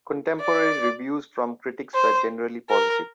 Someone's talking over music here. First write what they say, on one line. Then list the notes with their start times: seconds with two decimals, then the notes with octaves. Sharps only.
Contemporary reviews from critics were generally positive.
0.40 D5
1.94 C5
2.70 A#4